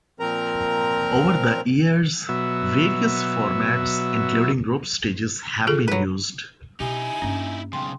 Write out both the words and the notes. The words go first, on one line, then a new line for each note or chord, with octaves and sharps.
Over the years, various formats, including group stages have been used.
A#2 F3 C4 A#4 A#5
B2 F#3 E5
F4 G#4 A4
F#3 B4
B2 D#4 E4 G4 G#5
G2 A#3 C#4
B1 C#3 G5 C6